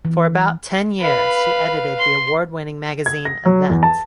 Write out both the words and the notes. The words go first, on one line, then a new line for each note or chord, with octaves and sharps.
For about ten years she edited the award-winning magazine "Event".
E3
B4 F5 B5
C6
G#6
A#6
F#3
E2
A5